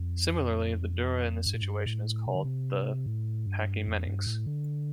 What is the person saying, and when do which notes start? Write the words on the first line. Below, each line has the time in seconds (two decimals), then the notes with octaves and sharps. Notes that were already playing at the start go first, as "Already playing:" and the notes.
Similarly, the dura in this situation is called the pachymeninx.
Already playing: F2
1.46 G2
1.54 A2
1.61 G2
1.86 A2
2.26 C3
2.35 D3
2.44 C3
3.06 A2
3.46 G2
3.87 F2
4.06 G2
4.27 A2
4.46 D3